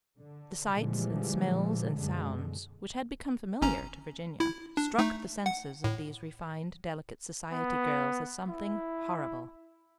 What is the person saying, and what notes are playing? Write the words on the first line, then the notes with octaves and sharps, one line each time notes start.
The sights and smells and sounds which had become familiar to Virginia struck the senses of these refined, delicate society girls as something horrible.
D3
A#2 D3 E3 F3 G3 G#3
F#2 B2 D3 G#3
G1 C#4 A#5
E4
D4
A3 D#4
F#5
A2
B3
E4